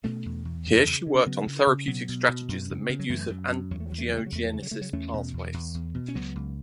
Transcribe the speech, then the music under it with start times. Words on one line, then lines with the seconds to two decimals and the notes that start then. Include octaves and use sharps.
Here she worked on therapeutic strategies that made use of angiogenesis pathways.
0.04 B2 A3 C#4
0.25 E2
0.45 E2
0.66 F#2
0.86 C#3
1.07 C#3
1.15 C#4
1.26 C#3 F#3 B3
1.47 C#3
1.67 C#3
1.87 B2 F#3 B3
2.09 B2
2.29 B2
2.49 F#2
2.70 C#3
2.89 C#3
2.99 F#3
3.09 F#2 E3 A3
3.30 F#2
3.50 F#2
3.71 E2 F#3
3.80 A3
3.90 E2 F#3
3.98 A3
4.08 F#3
4.11 C#3
4.16 A3
4.26 F#3
4.32 E2 A3
4.45 F#3
4.52 C#3 A3
4.62 F#3
4.71 C#3 A3
4.81 F#3
4.93 E2 A3 C#4
5.14 B2
5.33 E2
5.54 E2
5.74 E2
5.94 B2
6.08 C#4
6.15 C#2 F#3 B3
6.35 C#2